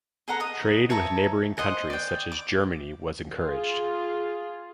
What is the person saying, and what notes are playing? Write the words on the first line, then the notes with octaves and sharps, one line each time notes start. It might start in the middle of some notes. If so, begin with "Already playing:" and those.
Trade with neighbouring countries such as Germany was encouraged.
G#4 A4 F#5 A#5
D#5 D#6
C#5 E5 A5 A#5
C5 D#5 F#5 G#5
D5 G5
D6
F4 G#4